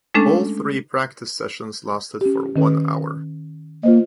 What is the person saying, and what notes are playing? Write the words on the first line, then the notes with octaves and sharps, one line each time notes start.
All three practice sessions lasted for one hour.
G#3 A3 C#4 D4 A4
C#4 G4
D#3 C#4 B4
A#3 F4 C5 D#5